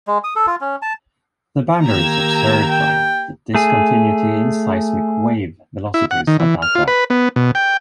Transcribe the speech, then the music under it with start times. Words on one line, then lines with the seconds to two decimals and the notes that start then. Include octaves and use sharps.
The boundary is observed via the discontinuity in seismic wave velocities at that depth.
0.07 G#3
0.24 D#6
0.36 A4
0.47 F4
0.61 C#4
0.82 A5
1.86 D#3 A#3 G4 A#5 E6 G#6
2.71 G5
3.55 A3 G#4
5.94 E4
6.11 F#5
6.27 D#3
6.40 E3
6.62 F6
6.75 F4
6.88 B4
7.10 B3
7.36 B2
7.55 G5